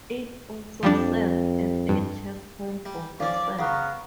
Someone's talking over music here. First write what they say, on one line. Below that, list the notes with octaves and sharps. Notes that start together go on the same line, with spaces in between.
It also served as a checkpoint for vessels.
F2 F3 G3 D4
G2
G3
F3 C#4 D5
C#3 B3 F#4 A#4